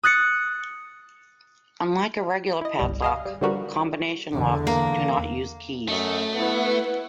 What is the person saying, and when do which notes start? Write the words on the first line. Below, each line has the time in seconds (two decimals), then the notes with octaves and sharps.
Unlike a regular padlock, combination locks do not use keys.
0.03 D#6 F#6 A6 C#7
2.61 E4 D#5
2.79 G1 C2 G3
3.02 G#4 D#5 F5
3.25 G3
3.41 D3 F3 G3 F#4 A#4 B4
4.35 E2 D3
4.67 A#3
5.88 F#2 A3 D#5
6.35 B3 E4 B4 F#5